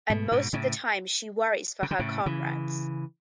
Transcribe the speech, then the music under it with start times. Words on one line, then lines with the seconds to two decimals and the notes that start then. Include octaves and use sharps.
And most of the time, she worries for her comrades.
0.10 G#2 B2
0.31 G#2 B2
0.53 A2 C#3
1.83 C#3
1.91 D3
1.99 A2 C#3
2.26 C#3 E3